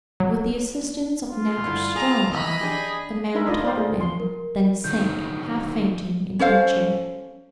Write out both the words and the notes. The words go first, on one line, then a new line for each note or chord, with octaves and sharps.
With the assistance of Nap's strong arm, the man tottered in, then sank, half fainting, into a chair.
F#3
F4
G2 D3 E4
G#4 A5 A#5
E3 D#5 B5
D4 G4 G#4
D4 D#4 A#4 E5 B5
D4 F4 A#4 D5 D#5 C6
F4 C5 D5 F5 G5 C6
G#4
C6
A#4
D3 D#3 F#3 G6
C#4 A4 C5 F5